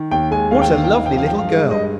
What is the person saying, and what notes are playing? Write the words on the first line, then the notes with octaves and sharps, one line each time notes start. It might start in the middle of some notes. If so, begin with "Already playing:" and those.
'What a lovely little girl!
Already playing: D#3
D#2 G5
G#3 G#5
D#2 F5
G5
D#3 F5
G5
D#2 F5
F3 G5
F5
G2 G5
F5
G#3
G2 D#5